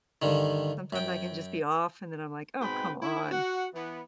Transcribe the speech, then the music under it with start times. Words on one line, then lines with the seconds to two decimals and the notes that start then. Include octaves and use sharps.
Sometimes I can just be off, and then I'm like, "Oh, come on."
0.22 G2 D3 D#3
0.93 F#2 G5
2.60 G#2 B2 C4 B4 G5 B5
3.02 E4
3.31 F#4 F#5
3.73 E3 B3